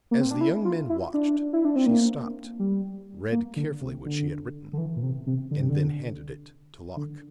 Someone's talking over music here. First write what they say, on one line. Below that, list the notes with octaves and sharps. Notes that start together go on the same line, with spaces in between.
As the young men watched, she stopped, read carefully what she had written, and then handed it to Locke.
A#3
C4
D4
E4
F4
E4
D4
E4
D4
C4
A#3
G3
A#3
D3
C3
D3
D3
E3
A#2
C3
C3
D3
C3
D3
D3